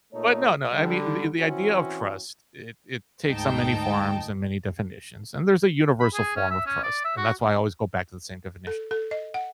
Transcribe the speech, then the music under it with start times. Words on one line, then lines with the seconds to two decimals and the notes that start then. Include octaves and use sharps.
but no, no, I mean, the the idea of trust, it it takes on many forms and many definitions, and there's a universal form of trust, and that's why I always go back to the same definition.
0.13 A#2 A3 D#4 C#5
0.72 D3 G3
1.39 E3 C4 C#4 E4 F#4
3.27 D2 G#2 D#4 G5 A5
6.00 B5
6.14 G#4
6.36 C#4
6.50 E5
6.66 C#4
6.83 D5
7.05 E5
7.17 F#4
8.67 A4
8.91 A4
9.11 D#5
9.34 F#5